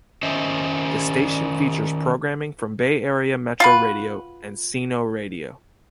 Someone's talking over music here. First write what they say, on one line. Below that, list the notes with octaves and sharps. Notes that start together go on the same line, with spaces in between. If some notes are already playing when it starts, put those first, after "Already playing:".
The station features programming from Bay Area Metro Radio and Sino Radio.
D#3 C#4 C5 D#5 E5
F4 F#4 B4